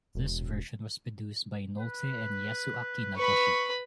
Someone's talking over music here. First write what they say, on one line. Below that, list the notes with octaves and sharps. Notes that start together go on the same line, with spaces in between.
This version was produced by both Nolte and Yasuaki Nagoshi.
E1
B4
B4 B5 C#6